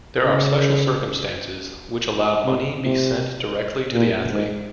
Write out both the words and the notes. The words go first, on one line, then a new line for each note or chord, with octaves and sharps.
There are special circumstances which allow money be sent directly to the athlete.
C#3
C3
C3
A#2
G#2